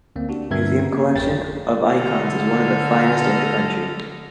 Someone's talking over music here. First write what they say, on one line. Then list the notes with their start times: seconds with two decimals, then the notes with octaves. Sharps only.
Museum collection of icons is one of the finest in the country.
0.16 D2 A#3 C4
0.29 D4 F#4 G4
0.50 G2 D3 B3 A#4 E5 G#6
0.93 C#3 A#3
1.15 G#1 F2 A#4 G5 A6
1.92 D3 A4 D#5 F6